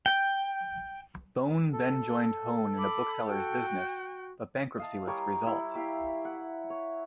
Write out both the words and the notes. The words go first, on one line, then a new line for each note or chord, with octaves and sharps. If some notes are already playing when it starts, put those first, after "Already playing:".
Bone then joined Hone in a bookseller's business; but bankruptcy was the result.
G5
A4
B5 D6
F#4 G5
D#5 F5 A5
G3 A#4 C#5
E4
E4 G4 E5 F5
F#5
C#5